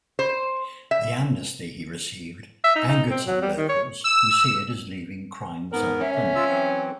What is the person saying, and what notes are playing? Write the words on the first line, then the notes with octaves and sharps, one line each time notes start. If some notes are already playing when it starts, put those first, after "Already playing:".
The amnesty he received angered some locals, who see it as leaving crimes unpunished.
C5
E5
E5
D#4
D#4
C4
F#3
G3
D#3
C#5
E6
G#2 B3 A#4
C#4 E5
D3 E5
F4 E6
E3 F#3 C4